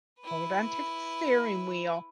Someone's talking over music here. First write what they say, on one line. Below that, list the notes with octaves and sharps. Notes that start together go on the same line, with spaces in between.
hold on to the steering wheel
E4 B4